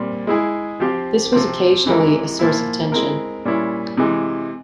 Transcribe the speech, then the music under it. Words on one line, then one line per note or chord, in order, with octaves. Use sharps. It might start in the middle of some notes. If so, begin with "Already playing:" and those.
This was occasionally a source of tension.
Already playing: A#2 G3 C4
G#3 E4 G#4
F3 C4 G4
C3 F3 C4
C3 E3 G#3 E4 A#4
A#2 F3 A#3 E4
G#3 C4 E4 A#4
A#2 G3 C#4 E4
C3 E3 G#3